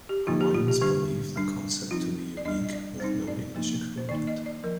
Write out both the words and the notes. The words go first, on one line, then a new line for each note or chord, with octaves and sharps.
Hawaiians believe the concept to be unique, with no English equivalent.
G4
D3 F3 A#3 D#4 F4
G4
F4
G4
D3 G3 D4 G4
G3 D4
F3 C4 D#4 F4
D5
G3 D4 D#5
D#5
D5
G3 C4 D#4 C5
D5
F3 A#3 D#4
C5
D#3 A#3 D#4 D5
D#5
D5
F3 A#4